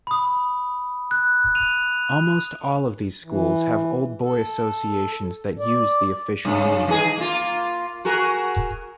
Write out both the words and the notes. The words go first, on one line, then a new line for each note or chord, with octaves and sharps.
Almost all of these schools have old boy associations that use the official name.
B5 D#6
F#6
D#7 F7
E3
A4
D5
G2 C#3
D#3 D#4 G#4
A#3 F4
F#4 G#4 A#4